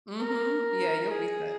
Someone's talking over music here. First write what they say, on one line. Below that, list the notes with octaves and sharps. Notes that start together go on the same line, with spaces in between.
Mhm. Yeah, you'll be set.
A#4
G#4